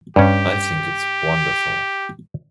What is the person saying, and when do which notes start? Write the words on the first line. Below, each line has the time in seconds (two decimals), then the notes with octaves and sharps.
I think it's wonderful.
0.16 G2 C#4 G4